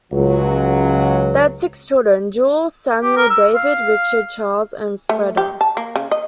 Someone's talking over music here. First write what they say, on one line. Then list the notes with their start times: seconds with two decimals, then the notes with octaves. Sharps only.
They had six children: Jules, Samuel, David, Richard, Charles and Freda.
0.12 C#2 F#3
3.02 G4
3.17 A#4
3.30 E6
3.55 F5
5.09 A3
5.37 G4
5.61 A5
5.77 A#3
5.96 C#3
6.11 D#5